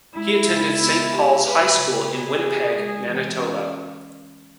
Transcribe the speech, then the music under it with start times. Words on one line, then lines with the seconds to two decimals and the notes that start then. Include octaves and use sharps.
He attended Saint Paul's High School in Winnipeg, Manitoba.
0.15 G#3 E4
0.48 C#3
0.80 B3
1.13 G4
1.44 G#3 B4
1.78 C#3
2.10 B3 G#4
2.42 G4
2.75 G#3
3.08 E3
3.40 C#4